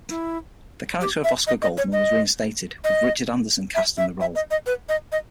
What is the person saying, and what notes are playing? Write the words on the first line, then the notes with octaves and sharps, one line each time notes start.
The character of Oscar Goldman was reinstated, with Richard Anderson cast in the role.
E4
G4
E5
D#5
D#5
C#5
D#5
D#5
E5
E5
E5
D#5
D#5
B4
D#5
D#5